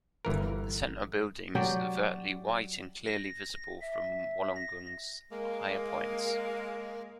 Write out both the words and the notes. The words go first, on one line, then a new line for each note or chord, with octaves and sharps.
The centre building is overtly white and clearly visible from Wollongong's higher points.
G1 E3 A#4
F#3 G4 D5 G5
A#6
E5
A#6
G#3 A#3